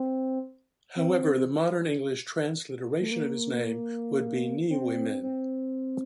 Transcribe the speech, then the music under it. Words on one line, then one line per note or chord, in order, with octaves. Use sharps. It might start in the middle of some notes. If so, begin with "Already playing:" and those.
However, the modern English transliteration of his name would be Neuymin.
Already playing: C4
C4
A3
A#3
C4
C4